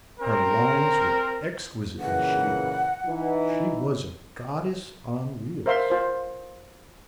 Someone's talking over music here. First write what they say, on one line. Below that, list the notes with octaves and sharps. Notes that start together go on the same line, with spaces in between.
Her lines were exquisitely shapely; she was a goddess on wheels.
C4 A#4
A#2 C#3 E3 F#5
E3 D#4
A#4 C5 E5 F5 C6
F4 C5